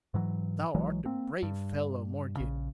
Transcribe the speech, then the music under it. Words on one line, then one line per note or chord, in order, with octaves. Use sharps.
Thou art a brave fellow, mordioux!
G#2 E3 F#3
B1 E3 F#3 G#3
A#3 C4
G2
A#1 C#3